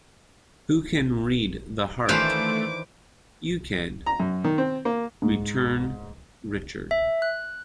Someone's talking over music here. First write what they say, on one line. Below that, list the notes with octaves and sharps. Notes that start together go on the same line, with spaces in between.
"Who can read the heart?" "You can," returned Richard.
D#3 E3 A3 D4 B4 C5 F5 D6
A#5
F#2
D#3
C4
A#3
G#2
E5
F#6